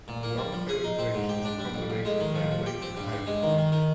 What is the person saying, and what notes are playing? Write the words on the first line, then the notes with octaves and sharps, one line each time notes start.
Longfellow Bridge is a combination railway and highway bridge.
A#2
A#3
G3
F3
G#4
D#4
C4
G#2
G4
D4
G3
F2
F2
G#3
D#3
F3
F3
G4
C4
G2
G2
G#3
D#3
D#3
D#3